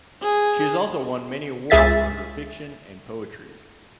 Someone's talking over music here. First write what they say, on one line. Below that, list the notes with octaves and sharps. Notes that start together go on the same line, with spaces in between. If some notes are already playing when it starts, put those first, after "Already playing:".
She has also won many awards for her fiction and poetry.
G#4
C#2 G#4 E5 A6 B6